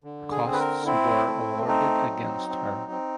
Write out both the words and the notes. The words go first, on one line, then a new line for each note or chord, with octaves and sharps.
Costs were awarded against her.
D3
G#4
C4
B4
A#4
C4 E4
A3
C4 D#4
F#3
C4
C4